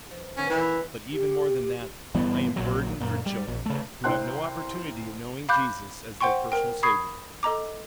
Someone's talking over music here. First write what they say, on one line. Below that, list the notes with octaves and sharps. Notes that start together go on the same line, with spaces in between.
But even more than that, I am burdened for children who have no opportunity of knowing Jesus as their personal Savior.
F3
A#2 D#3 B3 C#4
E2 E3 G3 C#4
G4
G1 E3 G3 B3
A#1 A#2 F#3
F#2 A#2
G3
A#1
C#3 A3
C2 C5 E5 G5 C6 F#6
F5 B5 D6 F#6 G6
C5 F#5 G5 C6 C#6
A#4 G5
B5 C#6 D#6 G#6 C7
A4 D#5 A#5 D6